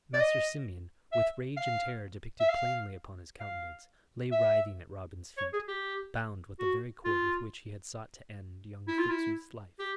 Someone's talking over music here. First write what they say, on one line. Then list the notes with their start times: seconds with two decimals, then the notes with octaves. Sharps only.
Master Simeon, with rage and terror depicted plainly upon his countenance, lay writhing at Robin's feet, bound with the very cord with which he had sought to end young Fitzooth's life.
0.14 D5
0.20 D#5
1.12 E5
1.57 F5
2.40 E5
2.49 F5
3.40 F5
4.32 E5
5.38 C#5
5.53 G#4
5.68 G4
6.59 F#4
7.05 F4
8.88 E4
8.98 F4
9.09 E4
9.79 G4